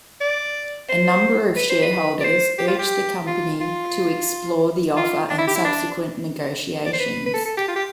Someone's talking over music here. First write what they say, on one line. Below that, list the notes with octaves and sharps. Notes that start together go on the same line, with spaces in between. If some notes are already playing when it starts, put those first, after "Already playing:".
A number of shareholders urged the company to explore the offer and subsequent negotiations.
D5
C5
B4
C5
B4
D5
C5
G4
F4
G4
F4
F4
F4
D4
E4
G4
E4
D4
D5
C5
B4
B4
A4
A4
G4
F4
G4